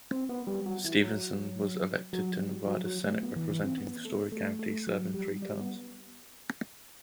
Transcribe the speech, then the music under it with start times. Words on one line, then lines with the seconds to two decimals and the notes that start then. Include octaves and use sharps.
Stevenson was elected to Nevada Senate representing Storey County, serving three terms.
0.11 C4
0.29 B3
0.47 G3
0.66 F#3
0.84 E3
1.03 F#3
2.13 F#3
2.40 G3
2.67 F#3
2.86 F#3
3.04 A3
3.23 B3
3.36 E3
3.50 E3
3.64 C4
3.78 B3
4.05 A3
4.32 A3
4.59 A3
4.87 F#3
5.14 G3
5.42 G3
5.60 B3